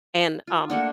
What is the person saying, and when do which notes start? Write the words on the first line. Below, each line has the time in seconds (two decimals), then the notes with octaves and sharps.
and, um
0.47 F4
0.70 A3 A#3 D4 F#5